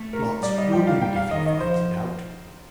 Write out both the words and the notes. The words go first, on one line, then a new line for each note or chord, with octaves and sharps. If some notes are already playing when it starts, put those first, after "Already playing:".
Plot's ruined if he finds it out!
Already playing: A3
A#4
G3 D5
D#5
G5
F5
G3 G5
F5
D#3 D#5
D#5
F3 C5